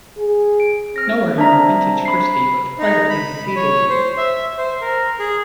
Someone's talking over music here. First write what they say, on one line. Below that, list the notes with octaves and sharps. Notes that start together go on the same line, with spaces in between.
Nowhere near a vintage Christie but quite a pleasing table-read.
G#4
D7
C4 F6 A#6
D4 E5 A#5
B5 C7
D#4
B5
C#5
C5
E5
C5
A#4
G#4